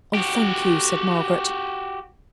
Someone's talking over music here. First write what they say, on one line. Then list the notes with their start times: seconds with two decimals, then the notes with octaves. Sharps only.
'Oh, thank you!' said Margaret.
0.15 F#4 G4